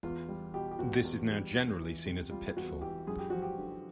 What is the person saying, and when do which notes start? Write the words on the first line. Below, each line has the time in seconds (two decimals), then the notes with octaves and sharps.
This is now generally seen as a pitfall.
0.03 E2 F4
0.29 G3
0.54 B2 G4
0.71 G4
0.79 E2 F#4
1.05 E2
1.30 G3
1.55 E2
1.81 E3
2.05 C3
2.31 G3 F4
2.57 E2 F#4
2.81 E3 G4
3.07 F#2 G#4
3.18 G4
3.30 F3 F#4
3.42 G4
3.58 D3